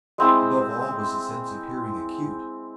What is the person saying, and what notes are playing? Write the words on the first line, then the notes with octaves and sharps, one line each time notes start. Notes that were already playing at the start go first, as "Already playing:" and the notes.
Above all was the sense of hearing acute.
G#3 C4 E4